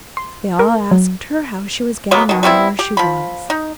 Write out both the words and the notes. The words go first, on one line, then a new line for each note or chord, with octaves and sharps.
They all asked her how she was getting on where she was.
C6
A#4
F#3
F#3 G#3 A#3 B3
B2 D#3
G3 B3 C4 E4
G4
F3 B5
D#4